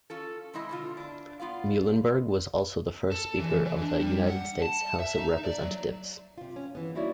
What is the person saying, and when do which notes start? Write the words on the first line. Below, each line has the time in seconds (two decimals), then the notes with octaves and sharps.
Muhlenberg was also the first Speaker of the United States House of Representatives.
0.10 C#4 F4 A4
0.53 C3 G#3 E4 D#5 E5
0.69 B2 D3 F4
0.97 D4
1.40 B3 F4 D5 F5
3.12 A4
3.39 E3
3.65 E3
3.81 D4
4.00 G3
4.27 F#5
4.62 A5
5.00 E5
5.18 D#4
5.45 D5
5.61 F#3
6.38 C3 F4
6.56 C#4
6.75 E3 B3
6.95 A#3 D#4 E4 F#4 C#5 D5